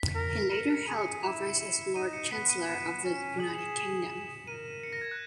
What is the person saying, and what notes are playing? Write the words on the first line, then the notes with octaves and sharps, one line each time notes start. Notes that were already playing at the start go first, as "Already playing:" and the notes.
He later held office as Lord Chancellor of the United Kingdom.
Already playing: B6
A#4
A#4 C#7
D#7
C#7
G#4 D#7
C#7
E4 E7
E4
D#4 D#7
C#7
B3 B6
D#7
B3 E7
C#4
G#4 F#7
E7
E7
A#4 D#7
C#7
A#6
G#6
F#6